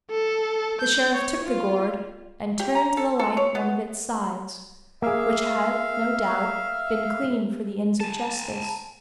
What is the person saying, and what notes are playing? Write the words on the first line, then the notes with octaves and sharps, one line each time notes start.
The sheriff took the gourd, and turned to the light one of its sides, which had, no doubt, been cleaned for the ends of justice.
A4
G6
C#5
F4
G4
A#5
A4
A4
C#5
B3
A#3 G#4 E5 F5
G#5 A5